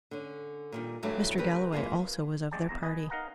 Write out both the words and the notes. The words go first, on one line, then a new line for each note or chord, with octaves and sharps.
Mr. Galloway also was of their party.
D3 C#4
A#2 D#3 G3
G2 E3 F#3 G#3 A3
C#3 A3 G4 A#4 B4
E3 G#3 A#3 F4 G#4
A1 G#3 D5 G5 A5
G1 E2 A#5
G#4 B4 D#5
D#4 A#4 F5 F#5 A#5